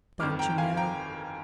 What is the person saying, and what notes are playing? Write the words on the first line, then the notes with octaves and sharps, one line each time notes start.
Don't you know?'
G1 F2 D#3 D6 F6
G5 A#5
G5
F5 G#5
G5 A#5